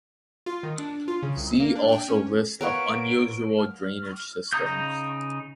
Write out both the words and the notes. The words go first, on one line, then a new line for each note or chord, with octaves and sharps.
See also List of unusual drainage systems.
F4
D#3
D4
F4
C#3
C2
A#3
D4
G5
C#4
A#4 B4 C#5 F5 F#5 D7
F6
C#3 D#4 A#5 D#6 G6